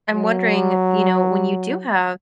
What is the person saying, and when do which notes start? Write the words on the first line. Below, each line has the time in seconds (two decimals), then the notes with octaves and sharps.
I'm wondering, you know, when you do have
0.13 F#3